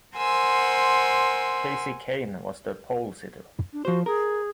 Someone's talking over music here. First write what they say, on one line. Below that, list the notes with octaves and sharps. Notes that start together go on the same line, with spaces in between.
Kasey Kahne was the polesitter.
A#4 C5 F#5 G#5 C6 E6
D4
F3 F#4 C5
G#4 A#4